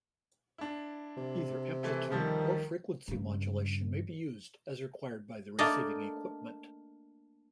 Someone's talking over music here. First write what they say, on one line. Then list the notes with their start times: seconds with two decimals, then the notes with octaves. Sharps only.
Either amplitude or frequency modulation may be used, as required by the receiving equipment.
0.58 D4 E4
1.17 C3
1.83 E3 A3 E4
2.10 D2 D#3 F3 G3
3.08 G2 C#3
5.59 A3 A#3 D4 D5 D#5